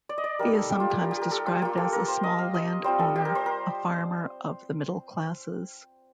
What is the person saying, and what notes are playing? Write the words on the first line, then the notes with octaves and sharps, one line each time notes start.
He is sometimes described as a small landowner, a farmer of the middle classes.
D5
D#5
D5
G3 A#3 D#4 A#4
A4
G4
F4
G4
A#4
G4
A#4
A4
F4
A#3 F4 G4
A4
A#4
C5
D#5
F5
D#5
G3 C4 F4 C5
A4
G4
A#4
C5
A#4